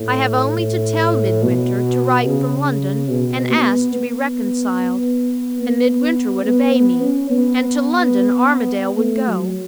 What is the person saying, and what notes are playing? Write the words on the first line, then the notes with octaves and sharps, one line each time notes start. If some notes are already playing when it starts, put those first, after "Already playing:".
I have only to tell Midwinter to write from London, and ask to be reconciled; and Midwinter would obey me--and to London Armadale would go.
Already playing: A2
A2
B2
C#3
B2
B3
B3
B3
B3
B3
C#4
B3
A3
F#3